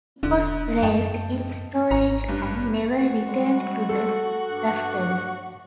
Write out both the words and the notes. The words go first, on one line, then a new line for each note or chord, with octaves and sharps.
It was placed in storage and never returned to the rafters.
E1 D3
F#2 D#5 G5 A5
G#1 A#5
G2
F#4
G3 G#3
A4
G2 D4 F#5